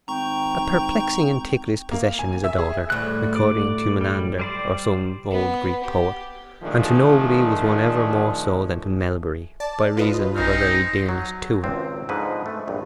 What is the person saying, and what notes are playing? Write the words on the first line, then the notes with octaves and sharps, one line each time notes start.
"A perplexing and ticklish possession is a daughter," according to Menander or some old Greek poet, and to nobody was one ever more so than to Melbury, by reason of her very dearness to him.
G#1 G5 A#5 C#6
A#3
G#5
E5
G#4
D2 A2 G3 F#6
D5
G3
G3 C5 D5
B3
G4
A#2 D#3 F3 A3 D4 G#4
D5 A5
F4 B4 D#5
A#1 C4 D#4 G#5 F6
F#3
G#1 C#2 C4
G#2 D3 F3 G#3 B4
A3
A#1 G2